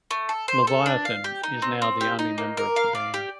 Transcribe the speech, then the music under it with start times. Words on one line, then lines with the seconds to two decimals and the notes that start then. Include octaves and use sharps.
Leviathan is now the only member of the band.
0.11 A3
0.29 A4
0.48 C5
0.67 A4
0.86 D4
1.05 F5
1.24 G4
1.44 D#4
1.62 C4
1.82 C4
2.01 G4
2.19 D#4
2.38 A#3
2.57 A#4
2.76 F5
2.95 D5
3.14 G4